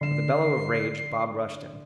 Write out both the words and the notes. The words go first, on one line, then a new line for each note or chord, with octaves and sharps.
With a bellow of rage, Bob rushed him.
D3 C7 E7